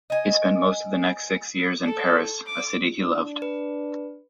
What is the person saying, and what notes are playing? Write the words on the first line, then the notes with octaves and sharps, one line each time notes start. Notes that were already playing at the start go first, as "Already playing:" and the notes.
He spent most of the next six years in Paris, a city he loved.
D#5 G#5
A4
D6
D4
B4